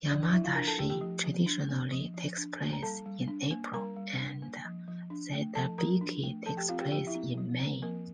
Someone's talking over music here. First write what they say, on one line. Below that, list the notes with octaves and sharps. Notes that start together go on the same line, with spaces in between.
"Yamadashi" traditionally takes place in April, and "Satobiki" takes place in May.
F3 D4 D5
F3 E4 E5
F4 F5
D4 A#4 A#5
A4 A5
A3 G4 G5
G4 G5
F3
F3
D4
A#3
F3
F3
D4
A#3
A#5
G3 A4 A5
G3
D4
A#3
G3 A#4 A#5
G3
D4
A#3
F3
F3
D4
A3
F3 A4 A5
F3 A#4 A#5
D4
A3
F3 A4 A5
G4 G5
C4 F4 F5
G4 G5
F3 G4 G5
E4 E5
C4
F3
C4
F3 A#3 A#4